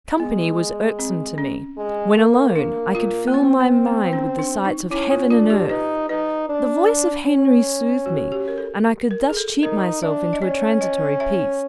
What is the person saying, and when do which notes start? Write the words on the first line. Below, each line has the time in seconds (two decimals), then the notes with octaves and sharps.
Company was irksome to me; when alone, I could fill my mind with the sights of heaven and earth; the voice of Henry soothed me, and I could thus cheat myself into a transitory peace.
0.20 G#3 B3
0.99 C4
1.38 C#4
1.77 G#3
2.16 A#3
2.56 A#3 D4
2.95 F4
3.27 A#3
3.34 B3 C4
3.60 B3
3.86 B3
4.13 C#4
4.39 D4
4.65 D#4
4.91 C#4 E4
5.11 F4
5.30 D4 F4
5.50 G4
5.70 D#4 B4
6.09 D#4 B4
6.49 D4
7.27 C#4
8.06 F#4
8.32 G4
8.48 A#4
8.58 A4
9.11 A#4
9.30 G#4
9.37 A4
9.62 D#4 A#4
10.02 D4 E5
10.33 D#5
10.42 C#4 D5
10.81 D#5
11.20 E5